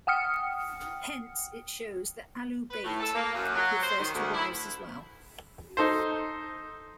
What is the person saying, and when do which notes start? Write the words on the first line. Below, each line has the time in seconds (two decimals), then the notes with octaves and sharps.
Hence, it shows that Ahlul-bayt refers to wives as well.
0.07 F#5 G5 D#6 F6 C#7
2.71 B4
2.84 A2
3.00 A4
3.15 A#3
3.35 F#2
3.55 F#3
3.82 C5
4.00 D#3
4.14 D2
4.34 E4
5.77 D#4 A4 C5